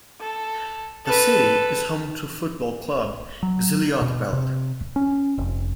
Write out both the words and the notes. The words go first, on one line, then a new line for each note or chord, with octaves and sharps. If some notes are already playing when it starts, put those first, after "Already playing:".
The city is home to football club Xilotepelt.
A4
A4 B4
F#3
B2
C3
C#4
F1